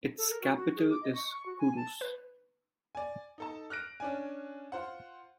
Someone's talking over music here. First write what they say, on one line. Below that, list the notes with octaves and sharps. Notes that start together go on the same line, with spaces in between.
Its capital is Kudus.
A4
A#4
F#4
F#4
G#4
D6
D#5
C#6
C#6
F#4
G#5
A5
B4
D5 G#5
D#4 A4 A5
F6 F#6 A#6 D7
C#4 D4 G#5
F4 C5 F#5